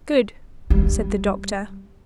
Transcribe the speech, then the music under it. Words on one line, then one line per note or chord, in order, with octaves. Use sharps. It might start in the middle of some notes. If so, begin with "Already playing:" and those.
"Good," said the doctor.
G3